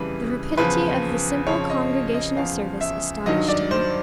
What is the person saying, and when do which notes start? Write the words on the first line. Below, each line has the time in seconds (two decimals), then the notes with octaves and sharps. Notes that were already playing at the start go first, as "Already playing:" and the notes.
The rapidity of the simple Congregational service astonished him.
Already playing: F2 C#3 E3 G3 B4
0.58 E2 C#3 F3 B4
1.46 F2 C#3 F3 C#5
1.70 D#5
2.15 D#5
2.37 E2 C#3 F3 F5
2.81 E5
3.26 G2 D#3 F#3 D#5
3.48 D5
3.71 C5